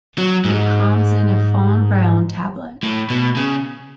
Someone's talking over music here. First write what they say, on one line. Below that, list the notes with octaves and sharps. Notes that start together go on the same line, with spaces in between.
It comes in a fawn brown tablet.
F#3
G#2
A2
B2
C#3